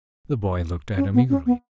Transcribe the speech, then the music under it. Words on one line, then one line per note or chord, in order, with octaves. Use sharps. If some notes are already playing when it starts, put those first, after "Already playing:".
The boy looked at him eagerly.
C#4
B3
C#4
B3